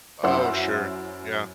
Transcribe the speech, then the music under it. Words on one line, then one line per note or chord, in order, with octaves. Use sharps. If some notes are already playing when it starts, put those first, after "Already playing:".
Oh, sure. Yeah.
F#2 E4 C5 E5 F#5 E6